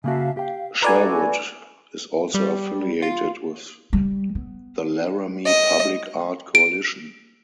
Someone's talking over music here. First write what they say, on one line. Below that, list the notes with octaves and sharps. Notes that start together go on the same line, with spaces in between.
Sherwood is also affiliated with the Laramie Public Art Coalition.
C#3 A#3 F#4 E5 F5 A5
G4 F5 G5
E4 F#4 A4 B4 D5 G#5 A#5
G3
F4
G3
B3
D#5
D7